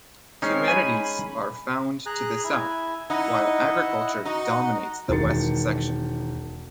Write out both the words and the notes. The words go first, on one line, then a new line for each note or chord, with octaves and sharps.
Humanities are found to the south, while Agriculture dominates the west section.
G#3 C4 C#4 D#4 C7
G#5 B5
G#4 A#5 F#6
E4 G#5
D#4 E4 D#5 F#5
D#4 F#4 D#5 F#5
E1 D#3 A#4 A6 C#7